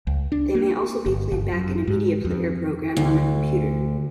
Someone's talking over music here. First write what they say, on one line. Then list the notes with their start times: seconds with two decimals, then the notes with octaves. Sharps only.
They may also be played back in a media player program on a computer.
0.07 C#2
0.32 D4
0.55 A#3
1.06 G1
1.32 G1
1.52 F#2
1.88 G#2
2.25 F2
2.97 D2